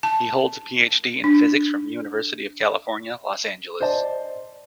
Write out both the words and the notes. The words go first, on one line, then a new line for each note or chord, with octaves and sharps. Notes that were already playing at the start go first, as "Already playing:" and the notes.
He holds a Ph.D. in Physics from University of California, Los Angeles.
A5
D4
C5 D5 D#5 A5